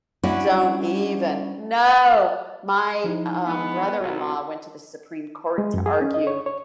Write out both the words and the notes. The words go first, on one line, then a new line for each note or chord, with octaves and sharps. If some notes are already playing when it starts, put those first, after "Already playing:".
don't even. No! My um, brother-in-law went to the Supreme Court to argue
G3 C#4 D4 E4 F#4
F3 D#4 E4
G#3 B3
C2 F#4
G#3
F#2
G#4
C#4
D#5
C#5
C#5